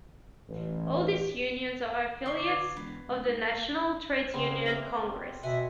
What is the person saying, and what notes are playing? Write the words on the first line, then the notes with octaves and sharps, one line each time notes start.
All these unions are affiliates of the National Trades Union Congress.
A1
D3 D5 C#6 D#6 C7 G7
B4 G#6 C7
E1 B3
C#2
G#2
C#3 G3 B3 C4
E5 F5 D6
B2 E5 F#5 G#5